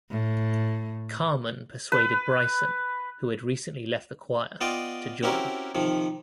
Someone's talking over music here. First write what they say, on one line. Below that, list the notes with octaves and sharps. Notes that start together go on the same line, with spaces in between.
Carmen persuaded Bryson, who had recently left The Choir, to join.
A2
B4
B3 F4 D5 D#5 G5
C4 C#4 E4 F#4 G4 A#4
C3 D#3 F3